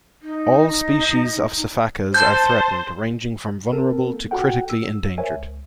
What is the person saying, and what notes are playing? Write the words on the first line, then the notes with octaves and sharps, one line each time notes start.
All species of sifakas are threatened, ranging from vulnerable to critically endangered.
D#4
C5 A5 G6
C4 A4 A#4
A#3
F#4 A4 F#5 G5
E6
A#4 C5 C#5 E5 G#5
C#2